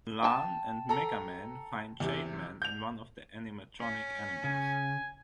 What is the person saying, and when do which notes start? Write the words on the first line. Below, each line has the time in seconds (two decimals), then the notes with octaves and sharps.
Lan and MegaMan find ShadeMan in one of the animatronic animals.
0.24 G5 A5
0.89 A4 A#5
2.00 E2 C3
2.62 G6 F7
3.80 C#4
4.44 C#3 G#5